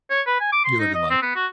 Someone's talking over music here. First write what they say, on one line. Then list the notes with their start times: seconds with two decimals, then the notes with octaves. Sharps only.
You're living life.
0.10 C#5
0.27 B4
0.40 G#5
0.52 D6
0.65 C6
0.80 D#4
0.95 D#5
1.10 C4
1.22 B3
1.36 F#4